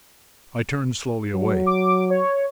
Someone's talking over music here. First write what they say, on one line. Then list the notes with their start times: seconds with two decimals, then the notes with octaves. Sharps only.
I turned slowly away.
1.34 F#3
1.66 D6
2.10 C#5